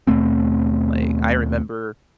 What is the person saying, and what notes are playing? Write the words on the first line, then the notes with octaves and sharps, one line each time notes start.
like, I remember
D#2 B2 A3 C4